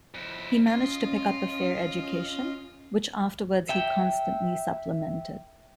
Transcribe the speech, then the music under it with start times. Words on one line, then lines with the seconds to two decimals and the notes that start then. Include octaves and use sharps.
He managed to pick up a fair education, which afterwards he constantly supplemented.
0.14 F2 E4
0.67 C#4 F4 D#5
3.69 E5 G5